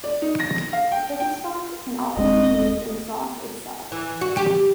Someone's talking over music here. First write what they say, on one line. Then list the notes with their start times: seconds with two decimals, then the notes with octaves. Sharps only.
Chicken stock can also be used in the sauce itself.
0.04 D5
0.22 D#4
0.40 A#6
0.73 F5
0.92 G5
1.20 G5
2.17 D#1 G#3 C4 D#5
3.92 E3
4.21 F#4
4.37 G4